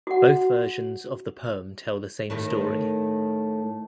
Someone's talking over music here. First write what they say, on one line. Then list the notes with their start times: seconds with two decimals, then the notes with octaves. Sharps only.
Both versions of the poem tell the same story.
0.07 F#4 F#5
2.30 A2 D#3 A3